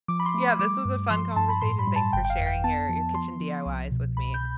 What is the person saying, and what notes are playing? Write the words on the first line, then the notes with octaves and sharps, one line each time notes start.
Yeah, this was a fun conversation. Thanks for sharing your your kitchen DIYs with me.
F3 D6
B5
C6
A3
B5
G3 D6
G2
F3 C6
G2 A5
B5
A2 C6
B5
G3
A5
G1 G5
G5
F5
F2
G5
B3 A5
F3
F3 C6
F3
C2
B2
C2 B5
G6